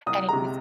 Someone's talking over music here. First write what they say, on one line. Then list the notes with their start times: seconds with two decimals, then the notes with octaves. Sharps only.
and it was
0.06 C2 D#6
0.29 C3 G#3 A#5